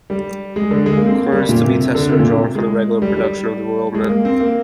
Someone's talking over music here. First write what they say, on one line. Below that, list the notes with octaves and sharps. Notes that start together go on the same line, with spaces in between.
Coins to be tested are drawn from the regular production of The Royal Mint.
G3
G#3
D3
G#3
A#3
C4
A#3
G3
A#2
C3
C3
D3
C3
A#2
C3
G#3
G3
G3
G#3
A#3
C4
A#3